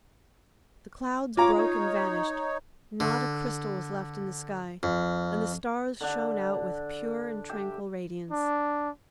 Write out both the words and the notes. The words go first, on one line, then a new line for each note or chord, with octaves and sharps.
The clouds broke and vanished, not a crystal was left in the sky, and the stars shone out with pure and tranquil radiance.
F4 C#5 A#5 D6
D#4 C#5
D3
F2
D3 D4
G4 E5
D4